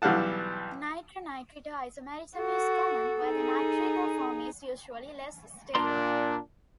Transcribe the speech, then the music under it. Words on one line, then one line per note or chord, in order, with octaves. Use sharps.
Nitro-nitrito isomerism is common, where the nitrito form is usually less stable.
B1 E3 G3 F5 F#5 A5
F#4 A4
D#4 G#4
A#2 D4 A#4 D5 C6